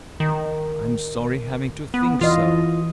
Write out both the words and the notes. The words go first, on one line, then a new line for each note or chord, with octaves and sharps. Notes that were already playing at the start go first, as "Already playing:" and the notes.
I'm sorry having to think so.
D#3
B3
E3 F4 D#5